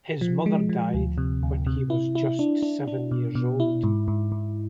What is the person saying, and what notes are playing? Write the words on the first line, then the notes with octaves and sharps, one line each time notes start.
His mother died when he was just seven years old.
F3
G#3
F3
D2
C3
D2
C3
E4
E4
D4
D4
D4
B2
B2
E4
G#2
G#2
G#2